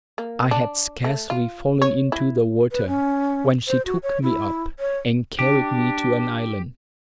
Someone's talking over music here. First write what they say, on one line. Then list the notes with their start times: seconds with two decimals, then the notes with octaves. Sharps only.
I had scarcely fallen into the water, when she took me up, and carried me to an island.
0.18 A#3
0.51 D4
1.05 A3
1.30 F4
1.82 C#5
2.12 E4
2.72 B4
2.88 C#4
3.68 C5
3.86 F#4
4.03 C#5
4.23 E4
4.79 C#5
5.39 D4 G4